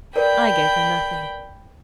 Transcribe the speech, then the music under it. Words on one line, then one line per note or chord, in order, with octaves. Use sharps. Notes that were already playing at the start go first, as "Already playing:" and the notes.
'I gave her nothing.
A#4 B4 D5 G5 B5